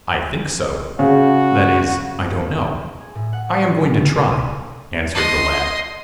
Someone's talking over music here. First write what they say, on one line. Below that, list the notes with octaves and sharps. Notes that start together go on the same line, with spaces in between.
"I think so--that is I don't know--I am going to try," answered the lad.
C#3 F#4
G#4
A2
F#5
C#6
E4
D3
C#3
B2
D#7
D#5 C6